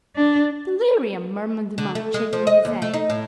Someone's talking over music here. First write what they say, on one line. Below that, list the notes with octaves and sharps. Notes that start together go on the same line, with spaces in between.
"Delirium!" murmured the monk, shaking his head.
D4
D3
A3
G#3
F3
D#5
D#2
A3
D#4
A2